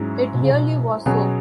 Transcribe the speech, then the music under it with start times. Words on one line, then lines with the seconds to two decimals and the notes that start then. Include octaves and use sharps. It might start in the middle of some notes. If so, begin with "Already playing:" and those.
It really was so.
Already playing: G#2 F#3 C#4 E4 G#4
0.34 B2
0.43 C#3
0.52 B2
1.06 B2 F#3 C#4 G#4